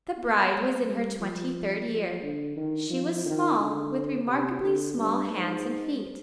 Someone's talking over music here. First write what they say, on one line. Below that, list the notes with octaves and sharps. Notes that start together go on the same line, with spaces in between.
The bride was in her twenty-third year. She was small, with remarkably small hands and feet.
B3
G#3
G3
F3
F3
D3
D#3
F3
D#3
D3
C3
D3
G2
G#2